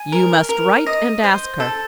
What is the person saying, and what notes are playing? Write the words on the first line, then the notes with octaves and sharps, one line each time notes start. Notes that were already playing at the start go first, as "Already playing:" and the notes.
"You must write and ask her."
Already playing: G#5
A#4
A#4
D#5
C5
A4